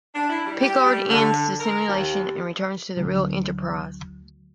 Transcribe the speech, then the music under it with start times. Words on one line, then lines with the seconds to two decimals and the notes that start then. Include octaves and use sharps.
Picard ends the simulation and returns to the real "Enterprise".
0.15 D4
0.30 E4
0.45 G3
0.61 G4
0.85 G3
1.09 D3
1.60 A#4
1.88 D#2
2.97 D2 F#3